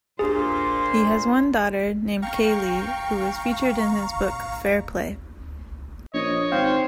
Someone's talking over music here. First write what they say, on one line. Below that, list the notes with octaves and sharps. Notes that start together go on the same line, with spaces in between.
He has one daughter, named Cayley, who was featured in his book "Fair Play".
A#2 D4 G4 G#4 C5
F5 G5 A#5 C#6
A#1 C#5 D#5
G#1 C5 F5 G5